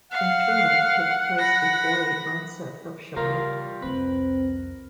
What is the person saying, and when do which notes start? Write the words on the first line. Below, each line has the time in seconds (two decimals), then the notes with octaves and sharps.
Interment took place before the onset of Shabbat.
0.12 F5 F#5
1.38 B5 A#6
3.16 C#3 G3 F4 A#4 F5
3.82 C2 F2 C4 B4